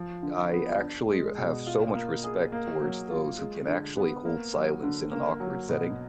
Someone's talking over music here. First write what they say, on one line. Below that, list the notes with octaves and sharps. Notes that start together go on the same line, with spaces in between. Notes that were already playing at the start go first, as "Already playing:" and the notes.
I actually r have so much respect towards those who can actually hold silence in an awkward setting.
Already playing: F3
D3
B3
D4
G#3
B2
F4
A#3
G#4
A#3
F#3
F4
G#3
D3
B3
A#3
F#3
D3
A#3
F#3
B2